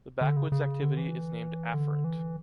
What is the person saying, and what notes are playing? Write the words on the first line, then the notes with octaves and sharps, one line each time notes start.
The backwards activity is named “afferent”.
D3
C#3
C#3
D3
E3
D3
E3